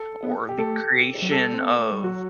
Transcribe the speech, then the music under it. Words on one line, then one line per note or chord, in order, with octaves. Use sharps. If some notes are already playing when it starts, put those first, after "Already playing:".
or the creation of,
Already playing: A4
B3
G4
A3 A4
F#3
G3 A4
C4
B3
A3
G3
F#3 F#4